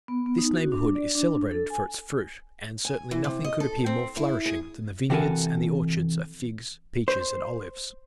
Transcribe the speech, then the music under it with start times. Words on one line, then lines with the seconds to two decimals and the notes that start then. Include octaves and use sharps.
This neighbourhood is celebrated for its fruit; and certainly nothing could appear more flourishing than the vineyards and the orchards of figs, peaches, and olives.
0.08 B3
0.26 B3
0.38 D#4
0.54 F#4
0.72 D4
0.95 D5
1.15 D4
1.51 A4
1.70 G#5
2.85 G#5
3.11 E3
3.24 C3
3.44 D#5
3.60 A4
3.86 C4
4.17 E4
4.46 G#4
5.10 C3 E3 F#4 A4 A#4 G#5
7.08 C5